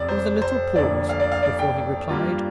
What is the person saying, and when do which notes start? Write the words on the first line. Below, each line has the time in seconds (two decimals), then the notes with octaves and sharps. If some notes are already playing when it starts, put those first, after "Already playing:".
There was a little pause before he replied.
Already playing: F1 F2 C3 D5
0.09 C5
0.42 C5
0.76 F1 F2 D3 A#3 D4 D5
1.09 F5
1.20 D5
1.32 F5
1.43 D5
1.59 G5
2.09 G2 G3 A#3 D4 F4